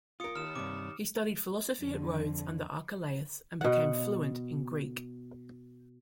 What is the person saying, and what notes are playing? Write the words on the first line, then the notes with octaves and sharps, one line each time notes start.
He studied philosophy at Rhodes under Archelaus and became fluent in Greek.
F4 A#4 D#6 C#7
D#2 F6 E7
G2 C3 D6
F2 D3
B2 F#5